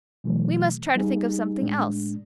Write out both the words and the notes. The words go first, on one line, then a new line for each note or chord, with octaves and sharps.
"We must try to think of something else."
B2 E3 F#3 A3
G3 D#4 G#4
A2 G#3 D4